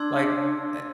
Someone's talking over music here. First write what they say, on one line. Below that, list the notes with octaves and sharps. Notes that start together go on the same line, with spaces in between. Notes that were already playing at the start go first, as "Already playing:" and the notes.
like, a
Already playing: D4 C6 E6 G#6